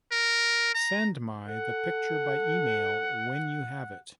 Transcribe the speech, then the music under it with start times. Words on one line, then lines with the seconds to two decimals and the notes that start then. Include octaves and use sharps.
Send my the picture by email when you have it.
0.12 A#4
0.75 A#5
1.49 A4 F#5